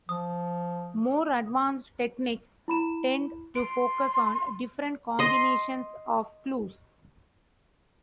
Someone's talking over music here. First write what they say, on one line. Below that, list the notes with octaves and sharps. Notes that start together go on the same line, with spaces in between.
More advanced techniques tend to focus on different combinations of clues.
F3 D#6
E4 B5 E7
C6 D7
D#5 C6